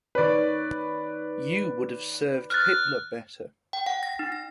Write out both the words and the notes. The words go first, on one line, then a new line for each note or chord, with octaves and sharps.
You would have served Hitler better.
D#3 B4 C#5 D5
F6 F#6 A6
G5
F#5
A#6
D#4
A#6